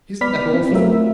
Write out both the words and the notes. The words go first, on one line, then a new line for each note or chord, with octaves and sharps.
Isn't that awful!
B3 D5 B5 F6 B6
C4
F#3 A3 F4 A#4 E5